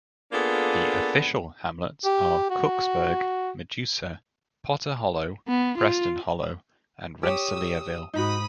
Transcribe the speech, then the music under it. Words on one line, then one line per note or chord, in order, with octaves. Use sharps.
The "official" hamlets are Cooksburg, Medusa, Potter Hollow, Preston Hollow, and Rensselaerville.
A#3 B3 D4 F4 G#4 A4
G4
F#4
B3
F4
G4 C#5 D#6 E6
G#2 D#4 F#4 B5 D#6